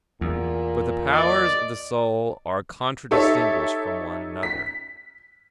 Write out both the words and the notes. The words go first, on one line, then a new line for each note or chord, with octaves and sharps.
But the powers of the soul are contradistinguished from one another.
E2 A#2
D5 D#5
D#4 G4 A4 C#5 E5
B6